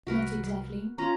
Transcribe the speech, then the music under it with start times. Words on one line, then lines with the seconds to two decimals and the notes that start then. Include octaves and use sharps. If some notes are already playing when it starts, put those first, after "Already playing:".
"Not exactly."
0.07 C2 F#4 A#4 B4
0.98 C#4 F4 A#5